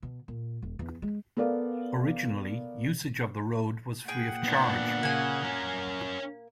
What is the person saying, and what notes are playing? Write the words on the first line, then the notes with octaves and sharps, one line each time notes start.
Originally usage of the road was free of charge.
B2
A#2
E1
E2
G#3
B3 A4 A#4 D5 F5
A#2 G#4 F#5 G5
B3 D4
C#3 A#3 G#5
C#4 A#4